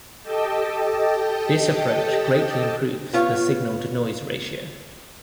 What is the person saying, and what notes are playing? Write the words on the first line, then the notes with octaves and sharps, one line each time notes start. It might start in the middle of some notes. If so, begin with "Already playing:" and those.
This approach greatly improves the signal-to-noise ratio.
G4 A4 D#5 G5 A5
B3 F4 C#5